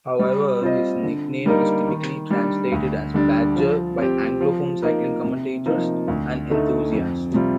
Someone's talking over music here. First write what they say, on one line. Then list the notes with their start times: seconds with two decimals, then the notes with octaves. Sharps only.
However, his nickname is typically translated as "badger" by Anglophone cycling commentators and enthusiasts.
0.19 G3
0.61 C4 F4 C5 D#5
1.03 D3
1.46 G3 A#3 D#4 A#4
1.88 D#3
2.30 G3 D4
2.72 D2
3.14 D3 G3 D4
3.56 F3
3.98 C4 G4
4.41 F3
4.82 A#3 D#4 A#4
5.24 C3
5.66 F3 A#3 D#4
6.08 D2
6.50 D3 A3 D#4
6.92 F2
7.34 C3 G3 C4 F4